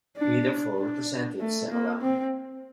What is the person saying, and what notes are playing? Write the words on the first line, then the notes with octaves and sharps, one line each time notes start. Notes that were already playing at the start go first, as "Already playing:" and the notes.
He therefore resented Sima Lun.
D4
D4
A3
A#3
C4